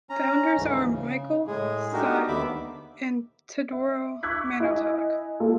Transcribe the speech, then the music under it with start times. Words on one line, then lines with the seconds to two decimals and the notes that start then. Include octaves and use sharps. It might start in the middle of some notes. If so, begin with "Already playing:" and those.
Founders are Michael Singh and Teodoro Manotoc.
0.10 C#4 A#5
0.57 D2 G#2 E3
0.92 C#3
1.47 A2 G#3 G#4
1.92 A3 D4 D#4 F#4 G4 A#4
2.28 D#2 D3 B3 E5 B5 D6
3.73 E5
4.23 C#6 D6 E6 F#6 G#6 B6
4.60 E4 D#5 G#5
5.40 A#3 F4 A4